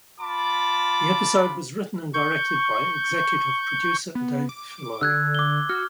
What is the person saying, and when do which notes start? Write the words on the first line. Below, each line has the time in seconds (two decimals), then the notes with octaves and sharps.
The episode was written and directed by executive producer Dave Filoni.
0.19 F4 A5 B5 D6
2.14 C#6 G6
4.15 B3
4.49 D6
5.01 D3 E6 F#6 G#6
5.35 D6 G7
5.69 F#4 F6